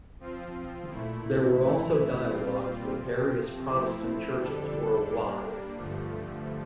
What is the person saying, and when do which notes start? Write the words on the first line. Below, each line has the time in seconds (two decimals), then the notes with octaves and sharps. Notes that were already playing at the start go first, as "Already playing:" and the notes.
There were also dialogues with various Protestant churches worldwide.
0.20 F3 C4 F4
0.89 A#2 A3 E4
1.59 E3 A3 E4
2.28 A#2 G3 C4 F4
2.97 C3 F3 C4
3.67 F3 A3 C4 E4
4.36 F2 D3 G3 D4 A4
5.06 G3 A#3 D4
5.75 G2 D3 F3 A3